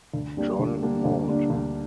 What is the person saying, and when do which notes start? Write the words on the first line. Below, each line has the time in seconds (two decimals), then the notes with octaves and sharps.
John Maude.
0.13 D2
0.37 D3 G3 A#3 D4
0.59 D2
0.82 D3 G3 A#3 D4
1.05 D2
1.28 D3 G3 A#3 D4
1.50 D2